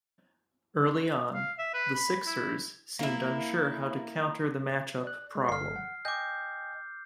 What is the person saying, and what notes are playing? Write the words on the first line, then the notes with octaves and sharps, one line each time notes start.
Early on, the Sixers seemed unsure how to counter the matchup problem.
F5
E5
B4
B5
E4
A#3 E4
D5 F#6
G#3
G1 A4 F6 C7
F#5
D#5 G5 G#5 D6 G6